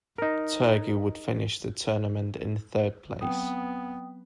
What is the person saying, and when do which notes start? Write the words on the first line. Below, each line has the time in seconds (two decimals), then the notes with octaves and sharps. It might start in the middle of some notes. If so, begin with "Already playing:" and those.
Turkey would finish the tournament in third place.
0.18 D#4 A#4
3.21 F#3 B3 C4 G5 D#6